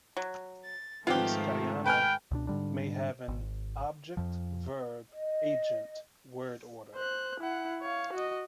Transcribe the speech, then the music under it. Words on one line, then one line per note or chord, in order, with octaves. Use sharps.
Hixkaryana may have an object-verb-agent word order.
F#3
A6
G#2 D#3 F3 A3 B3 C4 F4 G4
B4 G5 G#5 F6
C#2 B2 D4
G#2 D3 G3 D4
G#1
F2 F3
D#5
C5 F#6
E4 F#5
C#5 F5
F#4 D#5